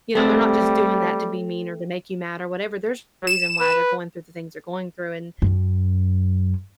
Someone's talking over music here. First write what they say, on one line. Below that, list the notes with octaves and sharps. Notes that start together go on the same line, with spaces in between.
you know, they're not just doing that to be mean or to make you mad or whatever. There's reason why they're going through the things they're going through, and
G3 A3 C4
E7
B4
F#2